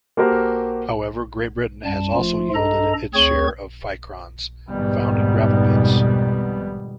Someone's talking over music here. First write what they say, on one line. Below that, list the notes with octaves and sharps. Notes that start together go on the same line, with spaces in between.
However, Great Britain has also yielded its share of ficrons, found in gravel pits.
A#3 F#4 G4 A4 A#4 C5
F#2 G3 A5
F3 A3 F4
G2 D4 A4 D#5 A#5
D2 C4 G#4 C#5 C#6 G#6
F2 G#2 B2 D#3 G3 B3